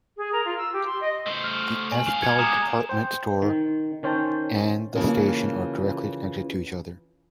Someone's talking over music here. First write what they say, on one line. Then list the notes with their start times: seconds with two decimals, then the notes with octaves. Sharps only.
The S-Pal department store and the Station are directly connected to each other.
0.17 G#4
0.32 A#4
0.45 F4
0.57 E6
0.73 G4
0.86 C6
1.01 D#5
1.27 A3 C5
1.44 F6
1.92 G#5 F#7
2.07 B2 F5
2.22 G#6 C#7
2.38 G#3 G4 A#5 D#6 E7
2.89 C5 G5
3.42 D#3
4.03 D#3 C#4 C5 G5 A5
4.95 C#3 E3 F3 G3 A#3 C#4